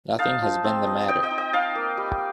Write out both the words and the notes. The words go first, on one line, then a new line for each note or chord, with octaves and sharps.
Nothing has been the matter.
D#4 F5 A5
F3
C4
D#4
D#4 D#5 G5
D#5 G5
D#4
D#5 G5
D#4 F5 A5
A#3
G3